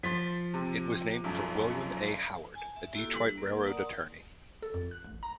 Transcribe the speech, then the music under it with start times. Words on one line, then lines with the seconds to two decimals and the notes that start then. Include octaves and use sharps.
It was named for William A. Howard, a Detroit railroad attorney.
0.03 F3 C6 A6 B6
0.54 C3
1.24 B1 F#2
2.55 G#5 A5
2.76 E5
2.94 A#3 E4 F#4 G4 A4
3.13 G3 D4
3.37 A#3 A#4
3.66 D5 F#5 A5 A#5 C6 D#6
4.62 A4
4.74 F2
4.91 F#6
5.05 A1
5.23 A#5